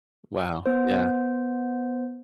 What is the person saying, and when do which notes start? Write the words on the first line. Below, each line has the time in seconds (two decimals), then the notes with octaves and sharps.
Wow, yeah.
0.66 B3 C5